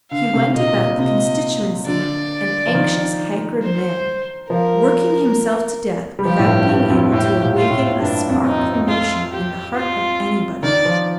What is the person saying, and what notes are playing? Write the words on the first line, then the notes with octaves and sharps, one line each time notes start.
He went about the constituency an anxious, haggard man, working himself to death without being able to awaken a spark of emotion in the heart of anybody.
D3 F5
C3
A#2 D#5
A#2
C3 D#5
D3 D5
F3
D#3
C5
F3 A#4
G3
F3 G4
A2
G2
G2
F2
A2 G4
A#2
F4
A2
G2 D4
F2
D#4
F2
F4
G4
F4
D#3 D5
F3